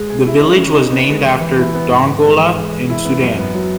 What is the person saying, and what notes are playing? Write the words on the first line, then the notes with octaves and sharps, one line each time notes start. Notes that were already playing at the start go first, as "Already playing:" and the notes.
The village was named after Dongola, in Sudan.
Already playing: G#3
G#4
E4
C#4
C#3
D#4
B3
G#3
E3
E3
E4
B3
G#2
B3
G#3
E3
G#3
G#3
E4
B3
F#2
B3
F#3